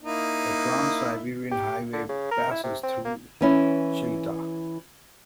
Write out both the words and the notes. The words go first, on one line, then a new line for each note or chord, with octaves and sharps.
The Trans-Siberian Highway passes through Chita.
A#3 D#4 E4
G4
D3
C#3
A#4
E4
C3
C4
A#3
E3 C#4 E4